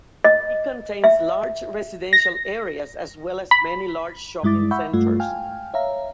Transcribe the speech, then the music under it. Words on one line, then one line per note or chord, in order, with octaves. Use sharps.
It contains large residential areas as well as many large shopping centers.
D#5
E5
A#6
B5
G2 G#3 E4 D6 A6
E5 F#5 B5 C#6 E6 G6
G2 A3 F4
F5 G5 G#5 F6
C#5 E5 F5 A#5